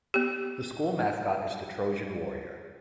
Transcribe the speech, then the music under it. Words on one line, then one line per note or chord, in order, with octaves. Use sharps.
The school mascot is the Trojan Warrior.
B3 G4